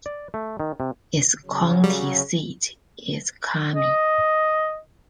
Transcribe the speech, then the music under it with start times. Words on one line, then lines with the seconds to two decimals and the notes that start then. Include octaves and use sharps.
Its county seat is Carmi.
0.06 D5
0.34 A3
0.60 D#3
0.80 C3
1.46 C#3 F#3
1.84 G3
3.75 D#5